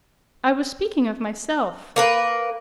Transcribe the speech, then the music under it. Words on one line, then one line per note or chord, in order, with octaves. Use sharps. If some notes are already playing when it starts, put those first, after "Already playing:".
"I was speaking of myself."
A#3 A#4 B4